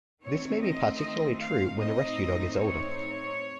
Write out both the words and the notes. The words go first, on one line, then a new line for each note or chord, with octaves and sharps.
This may be particularly true when the rescue dog is older.
D#3 A3 C4 C#5
D#5
D#5
F5
A2 A3 C4 D#4 D#5
C#5